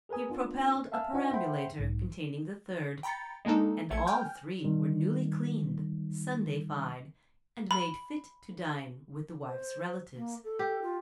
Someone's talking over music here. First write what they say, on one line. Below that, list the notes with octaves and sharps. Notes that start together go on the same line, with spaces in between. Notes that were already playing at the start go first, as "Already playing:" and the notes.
He propelled a perambulator containing the third--and all three were newly cleaned, Sundayfied, and made fit to dine with the wife's relatives.
G#4 A#4 B4 G#5 D#6
B3 D4 F4
E5 F5 G#5 A5 E6 F6
D4 F4 C5 D#5 F#5 G#5
C5 E5 F#5 G5 B5 C6
B1 G#2
G5 A#5 B5 A6 C#7
G#3 A#3 D4 D#4 A4
A#1 A3 A5 G#6 C#7
G5 G#5 F6 G6
D#3 G3
B5
C5
A#3
A4
G4
F4